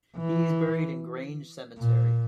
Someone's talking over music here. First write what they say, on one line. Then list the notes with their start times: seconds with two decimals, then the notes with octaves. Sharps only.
He is buried in Grange Cemetery.
0.17 E3
1.79 A#2